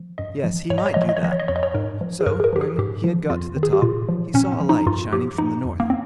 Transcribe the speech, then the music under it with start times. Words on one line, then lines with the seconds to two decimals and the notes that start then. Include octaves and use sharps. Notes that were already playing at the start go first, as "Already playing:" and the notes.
Yes! he might do that; so when he had got to the top, he saw a light shining from the north.
Already playing: F3
0.18 G2 D#5
0.44 F3
0.70 G#2 C#5
0.78 D#5
0.86 C#5
0.94 F3 D#5
1.02 C#5
1.09 D#5
1.17 C#5
1.23 F3 D#5
1.32 C#5
1.40 D#5
1.48 F2 C#5
1.56 D#5
1.63 C#5
1.74 G#2 A#4
2.01 F3
2.21 G#4
2.26 G2 A#4
2.40 G#4
2.44 A#4
2.53 F3 G4
2.61 G#4
2.78 G#2 G4
3.04 F3
3.30 F2 F4
3.57 D#3
3.63 G#4
3.73 G4
3.82 A#2 F4
4.09 F3
4.34 A#2 C#4
4.52 C4
4.61 F3
4.69 D#4
4.86 G2 F4
5.13 F3 G4
5.38 F3 D#4
5.65 F2
5.80 A#3
5.90 C4